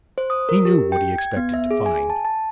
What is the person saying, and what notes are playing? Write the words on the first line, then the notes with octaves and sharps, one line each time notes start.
He knew what he expected to find.
C5
D#6
A#4
G4
G5
G#6
B3
E5
G#4
G#5
A5
A5